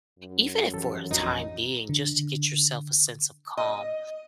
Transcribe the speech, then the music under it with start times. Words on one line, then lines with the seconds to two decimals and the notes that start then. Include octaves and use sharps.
Even if for a time being, just to get yourself a sense of calm
0.19 F#2
0.74 E3 F3 G4 A4
1.11 A1 F2 F3 D#4 F#4
1.89 D3
3.57 D#5